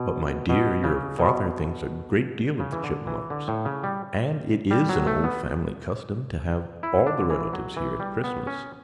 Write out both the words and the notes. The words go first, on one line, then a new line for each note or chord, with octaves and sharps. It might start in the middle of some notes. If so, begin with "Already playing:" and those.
"But, my dear, your father thinks a great deal of the Chipmunks; and it is an old family custom to have all the relatives here at Christmas."
Already playing: B2
B2
C#3
B2
C#3
E3
D3
E3
D3
A2
C#3
G3
G3
F#3
A3
B3
E4
D4
D3
E3
F#3
E3
G3
B3
C#4